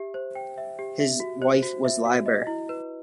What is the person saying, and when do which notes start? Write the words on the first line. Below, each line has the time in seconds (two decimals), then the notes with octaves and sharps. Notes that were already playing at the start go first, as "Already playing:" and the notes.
His wife was Liber.
Already playing: G4 E5
0.14 C5
0.35 G5
0.58 E5
0.79 G4
1.00 E5
1.20 F#4
1.42 C5
1.63 F#4
1.85 E5
2.05 F#4
2.26 D#5
2.47 E4
2.69 B4